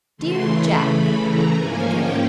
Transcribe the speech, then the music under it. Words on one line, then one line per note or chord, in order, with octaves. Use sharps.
"Dear Jack," it began.
C#3 E3 A3 C6
B5
B5
A#5
G#2 F3 A#3 C#4 G#5
G5